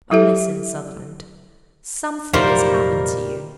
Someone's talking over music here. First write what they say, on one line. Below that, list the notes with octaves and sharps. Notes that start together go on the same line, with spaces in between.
But listen, Sutherland. Something has happened to you.
F#3 E4 G4 A4 B4 E5
F1 A#2 F#3 G3 A#3 D#4 A#4 C5